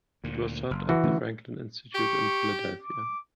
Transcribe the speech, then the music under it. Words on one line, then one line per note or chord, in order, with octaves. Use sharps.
It was shot at the Franklin Institute in Philadelphia.
D2 A#2
F#1
E3 F#4
D3 A3 C#4
G4 C#6
D6